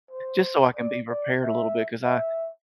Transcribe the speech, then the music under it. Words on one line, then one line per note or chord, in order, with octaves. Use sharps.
just so I can be prepared a little bit 'cause I,
C5
D5
D5
E5
E5